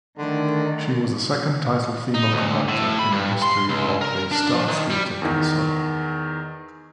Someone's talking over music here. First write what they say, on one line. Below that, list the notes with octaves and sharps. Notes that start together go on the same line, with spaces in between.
She was the second titled female conductor in the history of the Staatstheater Kassel.
D3 D#3 A3
D#4
D2
A2
B5
G2
C6
C#2
A#4
D4
F3
D#3
G3
E2 D#3